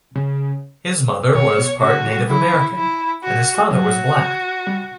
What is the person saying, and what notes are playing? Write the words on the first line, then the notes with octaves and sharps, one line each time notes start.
His mother was part Native American, and his father was black.
C#3
B2 C#5
B2
C#3 F#4
D3
E3
G3
F#3 E4
E3
E4
F#4
F#3 F#4
G3